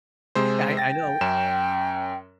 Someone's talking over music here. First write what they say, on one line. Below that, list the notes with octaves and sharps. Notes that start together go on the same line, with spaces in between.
I I know, I
C3 G#3 C5
G5 A6 A#6
F#2 C#4 E7